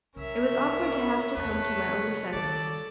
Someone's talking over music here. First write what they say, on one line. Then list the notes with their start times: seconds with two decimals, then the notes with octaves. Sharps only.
It was awkward to have to come to my own defense.
0.16 C2 C#4 A#4 E5
1.37 E2 C3 A3 A4 B4 C#5
2.33 D#3 G3 A4 D5